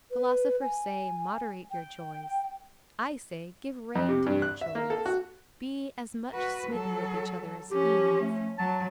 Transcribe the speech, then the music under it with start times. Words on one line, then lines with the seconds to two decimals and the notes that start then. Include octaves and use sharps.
Philosophers say: 'Moderate your joys.' I say: 'Give rein to your joys.' Be as much smitten with each other as fiends.
0.11 B4
0.61 G#5
1.71 G5
3.95 F2
4.09 C3
4.26 G2
4.42 F#6
4.61 E5
4.75 A#3
4.90 A4
5.06 F#4
6.34 F#4 B4
6.70 F#3 A4
7.71 F3 C#4 G4
8.21 A3
8.58 F#3 A5